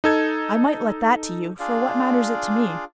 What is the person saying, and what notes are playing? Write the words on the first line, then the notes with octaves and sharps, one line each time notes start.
I might let that to you, for what matters it to me?
D#4 A4 G#6
D4 F4 G#4 D5 F5